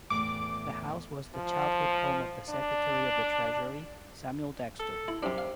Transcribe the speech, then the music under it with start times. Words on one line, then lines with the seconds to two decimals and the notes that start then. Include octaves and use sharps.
The house was the childhood home of the Secretary of the Treasury Samuel Dexter.
0.10 E2 A2 E3 D6
1.35 F3
2.50 D4
4.80 A4
5.08 E4
5.23 F#2 C3 D4
5.38 F5